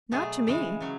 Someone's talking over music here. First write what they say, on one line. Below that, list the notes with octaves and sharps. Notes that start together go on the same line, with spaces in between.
"Not to me."
B2 F#3 A3 G#4
C#3 E3 G#3
C#3 F#3